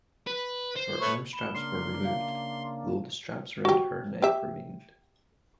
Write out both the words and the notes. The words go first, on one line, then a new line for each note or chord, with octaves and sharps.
Her arm straps were removed, though the strap around her neck remained.
B4
C5
A3 B4 C#5
B5 E7 G7
C#3 A#3 D4 C6 F6 C7
E5 F5
F#4 G4
G4 E5